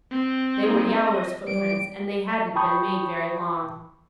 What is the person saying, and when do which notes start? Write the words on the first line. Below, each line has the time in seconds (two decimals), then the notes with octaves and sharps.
They were Yowler's footprints, and they hadn't been made very long.
0.11 C4
0.63 A#3 D#4 G#4
0.93 D#5
1.48 G3 D7
2.56 G5 A5 B5 C#6 D#6 G6